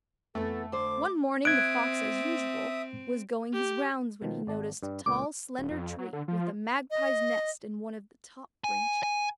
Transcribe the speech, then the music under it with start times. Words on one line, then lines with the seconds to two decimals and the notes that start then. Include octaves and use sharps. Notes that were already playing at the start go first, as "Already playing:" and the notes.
One morning the fox as usual was going his rounds when he noticed a tall, slender tree, with a magpie's nest in one of the top branches.
0.35 F2 E3 A3 B3 A4
0.72 D2 C5 D6
1.45 C4 E5 D#6 F#6 G#6 D7
3.53 G4
4.22 B2 D#3 F3
4.47 G#1 D5 A5
4.83 G2 G3
5.06 C#2 A#2 D6
5.58 D#1
5.71 F2
5.99 F#3
6.13 D3
6.28 F3
6.91 D#5
8.64 G#5
9.03 G#5